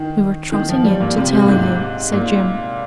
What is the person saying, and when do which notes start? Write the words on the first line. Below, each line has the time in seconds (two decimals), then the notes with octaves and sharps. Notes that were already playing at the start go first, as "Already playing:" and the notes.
"We were trotting in to tell you," said Jim.
Already playing: D#3
0.52 D#3
0.69 F3
0.84 G3
1.01 A#2
1.17 C3
1.33 C3
1.42 A#2
1.48 G#2
2.12 A#2